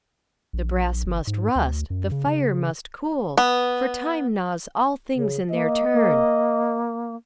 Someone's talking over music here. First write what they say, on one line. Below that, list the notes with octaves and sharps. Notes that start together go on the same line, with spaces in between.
The brass must rust, the fire must cool, for time gnaws all things in their turn.
A#1
G1
G#2
D2
F#2
C#3
C#3
B3
C#3
A#3 D#5
A#3